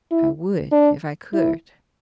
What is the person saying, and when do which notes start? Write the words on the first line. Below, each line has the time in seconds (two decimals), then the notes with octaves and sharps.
"I would if I could!"
0.11 E4
0.71 D4
1.33 E4